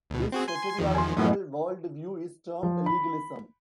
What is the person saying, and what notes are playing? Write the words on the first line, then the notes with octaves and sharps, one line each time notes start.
This soteriological worldview is termed legalism.
D2 B2
C4 F#4 G#4
G#5 C6 C7
E2 D#3 F3
G#5 C6
F#2 A2 F3 F#3 B3 C#4
F3
B5